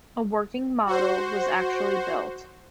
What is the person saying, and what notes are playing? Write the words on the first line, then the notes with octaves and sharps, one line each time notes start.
A working model was actually built.
F#4 C5